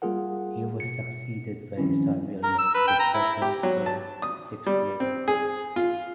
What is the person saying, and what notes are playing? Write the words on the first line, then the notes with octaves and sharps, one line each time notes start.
He was succeeded by his son William, the second or sixth Lord.
G3 A#3 F4 G#4 A#4 F#5
B2 C#7
D#3 F3 G3 C4 C#4 E4
A#4
E6
B4
G5
A#5
E4
G4
F#3
A5
D#6
G3
C4
G#4
F4